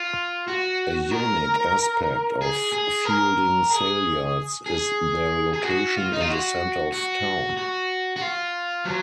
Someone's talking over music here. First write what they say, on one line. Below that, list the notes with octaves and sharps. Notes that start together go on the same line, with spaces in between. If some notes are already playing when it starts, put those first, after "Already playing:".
A unique aspect of Feilding Saleyards is their location in the centre of town.
Already playing: F4
F#4
A#4
G#4
G#4
A#4
G#4
G#4
G#4
F#4
F4
D#4
F4
F#4
F#4
F#4
F#4
F4
F#3